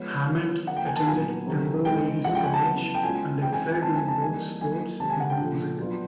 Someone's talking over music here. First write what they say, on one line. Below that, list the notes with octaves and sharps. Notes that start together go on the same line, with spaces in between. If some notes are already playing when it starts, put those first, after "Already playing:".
Hammond attended Pymble Ladies' College and excelled in both sports and music.
Already playing: F3 G#3 B3 C#5
D#3 F#3 B3
D3 F3 A#3 F#5
G5
G#5
A5
A#2 F#3 B3 G#5
C3 D#3 F#3 A3
E3 G#3 C4 G5
C3 F3 G#3 C#4 F4 F#5
G5
G#5
A5
C#3 F#3 B3 E4
G5
B2 G#3 C#4 F4 G#5
E3 G#3 C4 D#4 G5
G#5
G#5
F3 G#3 C4 A5
G#5
A5
E3 G3 A#3 D#4 G#5
F#3 A#3 D#4 G#5
C3 D#3 G#3 A5
G#5
F#5
G5
A#2 F3 A3
B2 F#3 B3 D4 F4